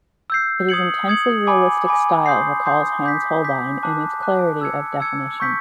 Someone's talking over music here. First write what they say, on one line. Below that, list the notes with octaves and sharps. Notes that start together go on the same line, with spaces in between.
Its intensely realistic style recalls Hans Holbein in its clarity of definition.
E6 G6 C7
D#6 G#6 C#7 F#7
D#6 G#6 C#7 F#7
G#5 B5 D6
G#5 B5 D6
C6 D#6 G6 C7
C6 D#6 G6 C7
D6 G6 B6
D6 G6 B6
A5 D6 F#6
A5 D6 F#6
E6 G#6 C#7
E6 G#6 C#7
C#6 E6 G6 B6